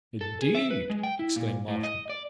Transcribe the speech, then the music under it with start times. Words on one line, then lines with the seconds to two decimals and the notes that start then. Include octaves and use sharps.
"Indeed!" exclaimed Marchmont.
0.21 A4
0.42 G#4
0.55 E5
0.71 B4
0.90 G#3
1.03 G5
1.19 E4
1.36 A#2
1.68 A2
1.83 D#5
2.10 D5